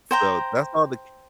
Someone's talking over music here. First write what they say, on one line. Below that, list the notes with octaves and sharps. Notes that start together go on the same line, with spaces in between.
so that's all the
C5 G5 A#5